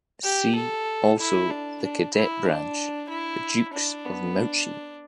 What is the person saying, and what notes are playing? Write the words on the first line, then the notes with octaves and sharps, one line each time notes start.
See also the cadet branch, the Dukes of Mouchy.
G4
A4
E4
D4
D4
E4
D4
E4
D4
B3
D4